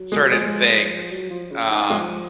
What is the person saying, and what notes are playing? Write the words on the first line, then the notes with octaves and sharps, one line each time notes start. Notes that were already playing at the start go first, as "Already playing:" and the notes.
certain things, um
Already playing: F#3
G#3
F3 G#3
F#3
F3
C#3
D#3
F3 G#3